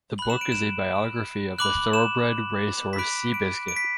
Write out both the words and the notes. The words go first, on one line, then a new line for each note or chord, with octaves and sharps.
The book is a biography of the Thoroughbred racehorse Seabiscuit.
B5 F#6 F#7
E7
D7
E7
B5 D6 F#6 F#7
E7
B6
B5 F#6 D7
D7
D7
B6